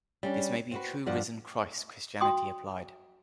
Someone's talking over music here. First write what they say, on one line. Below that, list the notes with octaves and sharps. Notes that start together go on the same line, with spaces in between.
This may be true risen Christ Christianity applied.
G3 C#4 D4
C4 F#4 B4
G2 F3 D5 F#5
F#4 G5 C6 D#6